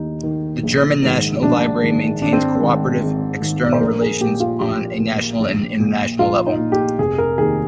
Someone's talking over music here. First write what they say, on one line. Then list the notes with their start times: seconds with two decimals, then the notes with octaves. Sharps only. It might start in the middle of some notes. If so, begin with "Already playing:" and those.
The German National Library maintains co-operative external relations on a national and international level.
Already playing: D#2 D#3 D#4
0.23 D#3
0.63 A#1
1.02 G#2 D#3
1.42 A#1 D4
1.82 G#2 D#3
2.21 G#1 D4
2.33 C4
2.56 C4
2.62 G#2 D#3
3.01 G#1
3.41 G#2 D#3
3.64 D5
3.73 C5
3.80 A#1 A#4
4.01 G#4
4.21 A#2 G4
4.40 F4
4.60 A#1 G4
5.00 A#2
5.40 A#1
5.80 A#2
6.19 A#1 F4
6.46 D#4
6.59 A#2
6.72 G4
6.99 F1 G#4
7.18 A#4
7.38 D#2 D#3 G#4